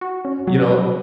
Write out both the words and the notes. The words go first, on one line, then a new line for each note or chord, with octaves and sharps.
You know
F#4
C#4
F#3
F#3